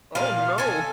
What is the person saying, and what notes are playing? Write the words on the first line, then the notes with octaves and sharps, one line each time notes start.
Oh, no!
A#2 F5
A4 G#5